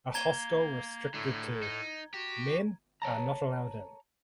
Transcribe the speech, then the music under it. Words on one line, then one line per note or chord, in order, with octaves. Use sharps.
A hostel restricted to "men are not allowed in".
A#3 A#5 G#6 G7
A2 D3 A3 A4
D#4
F#4 G4
C#5 A5 A#5